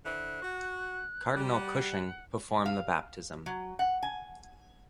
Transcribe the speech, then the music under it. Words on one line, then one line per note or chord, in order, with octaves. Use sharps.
Cardinal Cushing performed the baptism.
D3 E4 C5 F#6
F#4
G3
F#5
F5
F#3
F#5
G#5